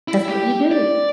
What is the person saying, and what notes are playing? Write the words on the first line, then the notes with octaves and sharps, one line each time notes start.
That's what you do.
E4
G4
D5